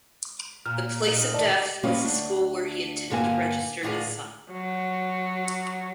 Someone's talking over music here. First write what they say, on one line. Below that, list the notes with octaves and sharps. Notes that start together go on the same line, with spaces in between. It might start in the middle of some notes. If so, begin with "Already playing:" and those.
The place of death was the school where he intended to register his son.
A#2 F6
A#2 D#4
D#3 E3 D#4 D5 D#5 A5
G3 A#3 C#4 F4 C#5 D#5
D2 D4
G2 D3 A#3 G4 G#5
D2 A2 D4 F4 G#4 A#5
F#3